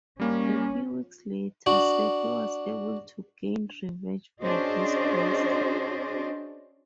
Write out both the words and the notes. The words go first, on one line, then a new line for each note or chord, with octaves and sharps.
A few weeks later, Seppi was able to gain revenge for this loss.
G3 A#3 C#4
D4 F#4
C#4 D4 F#4 G#4 C5 D#5